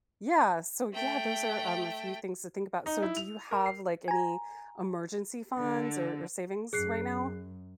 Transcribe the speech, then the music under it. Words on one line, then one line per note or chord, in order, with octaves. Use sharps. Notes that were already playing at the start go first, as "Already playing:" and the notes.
Yeah, so yeah, those are, um, a few things to think about. So do you have like any emergency funds or or savings right now?
A3 G5
D#4
E4
F7
A#4
C7
G#5 A#5
D3
F#2 G#4 F#6 C7